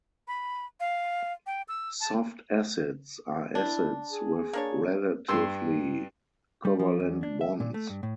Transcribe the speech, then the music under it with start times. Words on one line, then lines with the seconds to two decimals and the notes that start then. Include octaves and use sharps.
Soft acids are acids with relatively covalent bonds.
0.28 B5
0.80 F5
1.47 G5
1.68 E6
2.01 A5
3.55 D4 E4
4.11 G#4
4.53 A#3 D4 C#5
5.28 G2 C6 E6
6.65 G3
6.79 F3
7.00 E2
7.23 D4
7.41 E5
7.60 A#2
7.74 A3
7.90 G2
8.03 A2